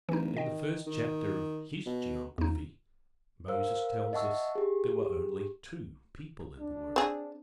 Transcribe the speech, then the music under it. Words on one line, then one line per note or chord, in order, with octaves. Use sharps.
In the first chapter of his geography, Moses tells us there were only two people in the world.
D1 E3 D#4
D#3 D#5 G5
D#3
B2
D#1 E2 D#4
A#4 C5 F5 E6
D#5 E5 F#5 A5 C#6 E6
G4 G#4
D4
C4 G#4